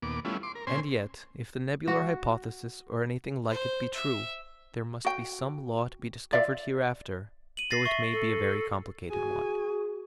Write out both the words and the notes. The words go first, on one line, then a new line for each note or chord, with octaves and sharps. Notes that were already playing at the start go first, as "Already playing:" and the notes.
And yet, if the nebular hypothesis or anything like it be true, there must be some law to be discovered hereafter, though it may be a very complicated one.
D#2 A#2 B3 D6
G3 A3 B3 C#4 E4 F4
C6 D6
A#4
A#2 C4 C#4 C5 G#5 C6
F#4
C5
E5
F#4 G5
F4 D5 E5 F5
D#7 F#7
A6 A#6 C7
E5 C#6
A4
F#4 G#4 G#5